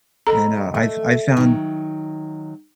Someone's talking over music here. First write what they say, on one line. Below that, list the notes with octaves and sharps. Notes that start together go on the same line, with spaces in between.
and, uh, I've I've found,
A4 D#5 A#5 B5
A3
D#3 F#3